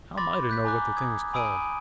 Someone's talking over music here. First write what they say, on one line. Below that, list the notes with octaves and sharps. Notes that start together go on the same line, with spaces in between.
'How am I to know what the thing's called?
B5 C6 D6 A6 A#6
F#6 G6 B6
G#5 A#5 D6 F#6
D#6 G#6
G#5 B5 D#6 E6 D7 D#7